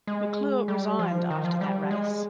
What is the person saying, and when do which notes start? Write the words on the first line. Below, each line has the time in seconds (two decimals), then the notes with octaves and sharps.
McClure resigned after that race.
0.07 G#3
0.68 G3
0.99 F3
1.30 D#3
1.45 F3
1.61 G3
1.91 G#3